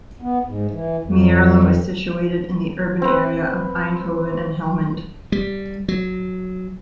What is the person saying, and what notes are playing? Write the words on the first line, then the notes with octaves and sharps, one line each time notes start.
Mierlo is situated in the urban area of Eindhoven and Helmond.
B3
G#2
E3
F2
C4 B4
G3
F#3